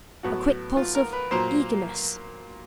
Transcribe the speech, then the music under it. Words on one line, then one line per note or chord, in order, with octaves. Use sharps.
A quick pulse of--eagerness?
A2 F#3 B3 F#4
F4
A#4
B4
A#2 F#3 A#3 C5